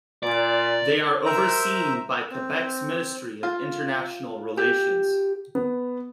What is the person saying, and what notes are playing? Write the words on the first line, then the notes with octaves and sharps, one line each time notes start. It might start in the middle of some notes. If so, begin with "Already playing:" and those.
They are overseen by Quebec's Ministry of International Relations.
A#2 D5
A#4 C5 E5 A#5 E6
C4
F4
G4
B3